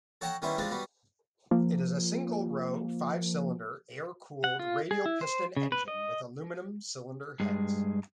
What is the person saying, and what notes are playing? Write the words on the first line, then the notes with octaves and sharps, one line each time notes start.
It is a single-row five-cylinder air-cooled radial piston engine with aluminum cylinder heads.
A4 C#5 F#5 G5 A5 A#5
D#3 G3 B3 C#4 E4 C5
G3 G#3 C4 D4 F4
F#3 G3 B3
F3 A#3
F#5
F4
G#4
E4
C5
C#3
B4
D#5
G2 G#3